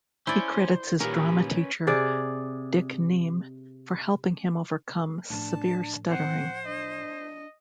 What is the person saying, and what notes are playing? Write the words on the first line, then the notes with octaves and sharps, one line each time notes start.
He credits his drama teacher, Dick Nieme, for helping him overcome severe stuttering.
C#4 E4 C5 D5
A#2 D#3 C#4 G4 A#4 B4
C3 G#4 D5
A2 F3 D4 A5
C4 C5 F#5
D4 D#5